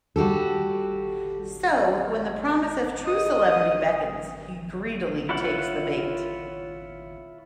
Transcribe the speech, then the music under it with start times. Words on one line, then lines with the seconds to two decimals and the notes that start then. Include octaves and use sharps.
So when the promise of true celebrity beckons, he greedily takes the bait.
0.16 G3 F#4 G4 A4
3.04 D#5 D#6
5.29 E4 F4 C#5 F#5